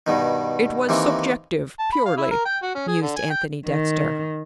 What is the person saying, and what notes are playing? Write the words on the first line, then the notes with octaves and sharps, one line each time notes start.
"It was subjective, purely," mused Anthony Dexter.
G2 B2 D#3
C3 D#3 E3 A#3
A5
B5
F5
E4
A#4
G5
F#4
C#4
G#4
D3
G#5
G5
D#3